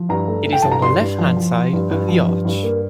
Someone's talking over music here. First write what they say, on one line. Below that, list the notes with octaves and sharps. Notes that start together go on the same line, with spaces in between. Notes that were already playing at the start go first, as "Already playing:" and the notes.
It is on the left-hand side of the arch.
Already playing: F3
G2 A#5
A3
A3
G5
G2 A5
A#5
G2 C6
G2
F3
F3
F3
G2
G2
F3
G2
G2
A#3